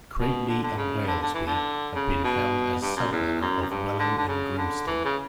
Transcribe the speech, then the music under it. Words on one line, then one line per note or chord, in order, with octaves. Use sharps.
Cratley and Walesby have been held as Sub Manor of Wellow and Grimston.
B2
D3
D3
C#3
D3
D3
E3
D3
C#3
B2
G2
F#2
E2
F#2
F#2
G2
D3
D3
C#3
D3
E3
C#3